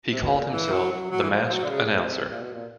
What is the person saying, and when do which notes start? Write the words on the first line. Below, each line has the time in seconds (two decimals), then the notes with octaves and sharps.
He called himself "The Masked Announcer".
0.11 C3
0.22 B2
0.32 A#2
0.52 E3
0.72 F#3
0.91 F#3
1.10 F#3
1.23 E3
1.30 F3
1.51 F#3
1.63 D3
1.70 C#3
1.84 C#3
1.89 C3
2.30 A#2
2.41 B2
2.53 A#2